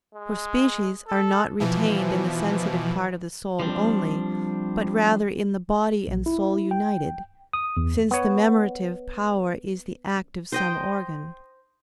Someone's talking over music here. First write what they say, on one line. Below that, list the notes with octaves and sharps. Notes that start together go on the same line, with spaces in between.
For species are not retained in the sensitive part of the soul only, but rather in the body and soul united: since the memorative power is the act of some organ.
G#3
A4
B2 E3 F3
F3 G3 C4 D4
A#1
E4
G5
D#6
E2
B3 C#5
C5 D#5 G5